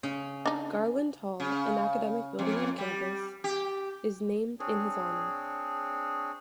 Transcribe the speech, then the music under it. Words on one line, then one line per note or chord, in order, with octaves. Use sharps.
Garland Hall, an academic building on campus, is named in his honor.
C#3 C#4
D4 D#4
C#3
F2
G3
G4
C4 D4 G#4 C#5